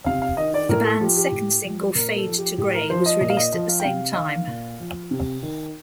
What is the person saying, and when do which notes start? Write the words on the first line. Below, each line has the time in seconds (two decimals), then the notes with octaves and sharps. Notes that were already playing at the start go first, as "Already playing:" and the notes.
The band's second single, "Fade to Grey", was released at the same time.
0.06 C3 F5
0.22 F5
0.37 D#3 D#5
0.54 D5
0.69 A2 A#4
0.84 A4
1.00 F3 G4
1.16 G4
1.32 A2
1.64 F3
1.95 A#2 A#4
2.16 A4
2.27 F3
2.38 G4
2.58 A2 G4
2.74 A#4
2.90 F3 C5
3.06 D#5
3.21 A#2 D#5
3.30 F5
3.37 D#5
3.53 F3 D#5
3.69 F5
3.80 G5
3.84 C3 F5
4.12 D#5
4.15 D#3 F5
4.47 A#2
4.80 F3
5.11 C3
5.42 D#3